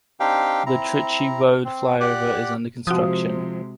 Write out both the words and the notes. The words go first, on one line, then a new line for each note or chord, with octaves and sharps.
The Trichy Road Flyover is under construction.
C4 D4 D#4 G4 F5 G5
C4 E4 A#5
C4
G4 D5 F#5
C3 F3 G#3 F#4 D#6